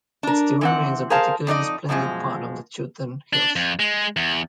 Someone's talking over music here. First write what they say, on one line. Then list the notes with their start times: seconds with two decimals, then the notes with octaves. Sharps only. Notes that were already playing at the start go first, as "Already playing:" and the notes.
It still remains a particularly splendid part of the Chiltern Hills.
0.23 D4 A#4
0.61 E3 C4 F#5
1.10 G#4 A#4 C5 F5 A5
1.47 F2 D#4 D5 D#5
1.89 F#2 B2 F3 G#3
3.33 D4
3.56 F2
3.79 G#3
4.17 E2